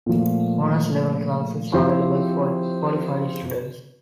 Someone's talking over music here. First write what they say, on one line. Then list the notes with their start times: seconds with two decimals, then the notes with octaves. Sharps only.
Honors-level classes are available for qualified students.
0.06 A#2 F3 A3
1.73 F3 C4 E4 G4 C5